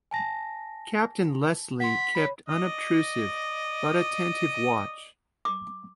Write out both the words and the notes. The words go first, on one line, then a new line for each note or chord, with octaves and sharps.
Captain Leslie kept unobtrusive, but attentive watch.
G#5 A5 A#6
F#5 C6 B6
C#5 B5
D5 D#5
D6